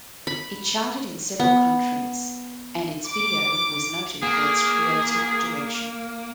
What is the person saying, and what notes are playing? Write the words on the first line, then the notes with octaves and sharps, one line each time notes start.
It charted in several countries and its video was noted for its creative direction.
B5
B3
D6
A#3 G#4